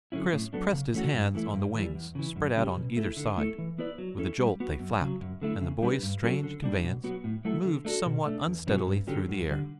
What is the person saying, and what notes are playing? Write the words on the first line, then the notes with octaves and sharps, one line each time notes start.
Chris pressed his hands on the wings spread out on either side, with a jolt they flapped, and the boy's strange conveyance moved somewhat unsteadily through the air.
D3 F#3 C#4 E4
A2
F#3 B3 D4 A4
C#3
E3 A3 C#4 F#4
G2
E3 A3 E4
G2
E3 G3
E2
C#3 E3
F#2
C#3 G3 C#4 G4
B2
A3 E4
D3
A3 E4 A4
E3
B3 E4 B4 D5
F#3
C#4 E4 A4
G3
B3 F#4
F#2
C#3 F#3
F#2
D3 A3 E4
C#3
G3 D4 G4 B4
G2
F#3 C#4 F#4 A4
D3
G3 D4
B2
F#3 B3 F#4
A2
F#3 A3 E4 A4
D3
A3 D4 F#4 A4
B2
A3 D4
E2
B2 F#3 C#4 F#4
G2
D3 F#3 C#4 G4
F#2
D3 G3